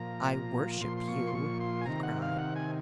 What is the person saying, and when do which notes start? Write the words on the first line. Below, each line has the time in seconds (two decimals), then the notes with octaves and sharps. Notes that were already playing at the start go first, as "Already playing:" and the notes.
"I worship you," he cried.
Already playing: A#2 F3 A#5
0.81 A#2 F3 C6
0.97 C6
1.08 C#6
1.27 C6
1.35 C#6
1.60 C6
1.81 G#5
1.86 C3 D#3 A#5
2.03 F#5
2.22 F5
2.38 F#5
2.56 G#5